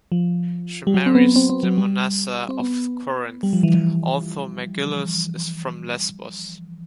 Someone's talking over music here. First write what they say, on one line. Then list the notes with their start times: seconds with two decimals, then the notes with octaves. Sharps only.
She marries Demonassa of Corinth, although Megillus is from Lesbos.
0.12 F3
0.87 G3
0.94 F#3
1.06 C4
1.15 B3
1.36 C4
1.50 C4
1.63 F#3
1.78 G3
2.49 C4
2.60 B3
3.43 G3
3.53 F3
3.63 E3
3.74 E3